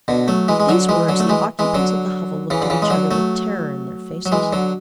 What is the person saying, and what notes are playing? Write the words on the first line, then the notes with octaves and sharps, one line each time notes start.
At these words the occupants of the hovel looked at each other with terror in their faces.
B2 D3
F#3 A3
E3 G#3
G#3
D3 F#3
E3 G#3
D3 F#3
A3
E3 G#3
E3 G#3
D3 F#3
C#3 E3
D3
C#3 E3
G#3
D3 F#3
F#3 A3
F#3
E3 G#3
D3 F#3